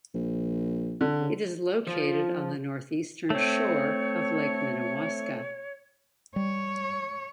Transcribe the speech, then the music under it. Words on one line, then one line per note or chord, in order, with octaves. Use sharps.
It is located on the northeastern shore of Lake Minnewaska.
A#1
D3
C#3
F3
A3 C4 C#5
G3 C#5